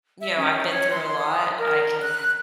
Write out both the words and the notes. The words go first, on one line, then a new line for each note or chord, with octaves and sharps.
You know, I've been through a lot. I can
E5
C#4
C#5
C6
D#6
A#4
F#6